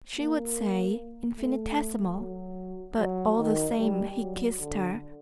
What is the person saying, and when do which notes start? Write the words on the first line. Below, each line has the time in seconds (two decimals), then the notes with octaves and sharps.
"She would say 'infinitesimal.' But all the same he kissed her."
0.16 A#3
1.37 A3
2.18 F#3
2.98 F#3
3.38 D#3
3.78 G3
4.20 F#3
4.60 D3